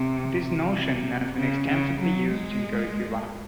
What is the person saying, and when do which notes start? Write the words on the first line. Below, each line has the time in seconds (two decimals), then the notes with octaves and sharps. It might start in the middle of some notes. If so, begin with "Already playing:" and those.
This notion has been extensively used in curricula.
Already playing: C3
0.40 C3
1.36 C#3
1.67 C#3
2.00 F#3
2.32 G#3